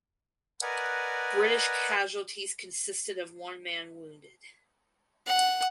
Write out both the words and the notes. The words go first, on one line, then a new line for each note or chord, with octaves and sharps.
British casualties consisted of one man wounded.
A#4 B4 D5 D#5 F#5 G#5
F#5